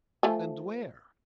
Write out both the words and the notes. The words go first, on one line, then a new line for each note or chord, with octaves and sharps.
And where?
F3 A3 G#5